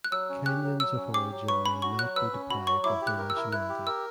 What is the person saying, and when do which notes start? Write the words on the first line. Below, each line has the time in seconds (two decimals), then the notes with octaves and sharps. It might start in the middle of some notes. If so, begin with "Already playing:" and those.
Kenyans of origin may not be deprived of their nationality.
0.04 F#6
0.12 F#3 E6
0.29 C#4
0.46 G4 F#6
0.63 F#3
0.80 F#3 E6
0.97 C#4
1.14 G4 D6
1.31 F#3
1.48 B4 C#6
1.66 C#4 B5
1.82 F#4 C#6
1.99 F#3 F#6
2.16 B4 E6
2.33 C#4
2.51 F#4 B5
2.67 F#3 C#6
2.84 E4 D6
3.01 G4
3.07 F#6
3.18 A#4
3.30 E6
3.36 E4
3.52 E4 F#6
3.69 G4
3.87 A#4 E6